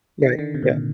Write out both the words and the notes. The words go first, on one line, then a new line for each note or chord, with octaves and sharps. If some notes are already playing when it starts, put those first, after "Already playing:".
Right, yeah.
D#3
D3
C3
A#2